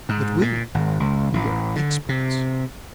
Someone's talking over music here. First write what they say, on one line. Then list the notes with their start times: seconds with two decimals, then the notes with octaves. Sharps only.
But we! we are experts.
0.09 G#2
0.41 A#2
0.74 G#1
1.00 C#2
1.34 A1
1.76 D3
2.09 C3